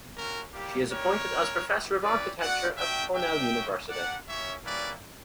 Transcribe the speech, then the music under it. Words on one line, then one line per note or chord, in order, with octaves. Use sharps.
She is appointed as Professor of architecture at Cornell University.
A#3 C#4 F#4 A#4
G3 A#3 E4 G4
G3 C#4 E4 G4 A#4 C#5
G3 C#4 F#4
G3 B3 E4 G4
C#4 E4 G4 B4 D5
B3 F#4 D5 F#5
A#3 D4 F#4 E5 G5
A#3 D4 G4 E5 G5
A#3 C#4 F#4
A#3 D4 G4 D5 F#5
A#3 C#4 E4 G4 C#5 E5
G3 A#3 C#4 E4 B4 D5